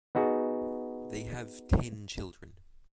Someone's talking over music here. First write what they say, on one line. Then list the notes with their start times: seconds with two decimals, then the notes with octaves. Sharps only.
They have ten children.
0.15 B3 D#4 F#4 G#4